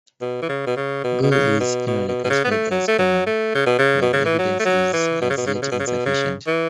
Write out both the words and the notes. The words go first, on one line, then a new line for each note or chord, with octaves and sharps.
Gule is generally classified as Koman, but the evidence is as yet insufficient.
B2
E3
C#3
B2
C#3
B2
B2
C#3
B2
B2
B2
B2
C#3
B3
A3
F#3
A3
F#3
A3
C#3
B2
C#3
B2
C#3
E3
F#3
A3
F#3
E3
B2
C#3
B2
C#3
B2
C#3
B2
C#3
B2
C#3
E3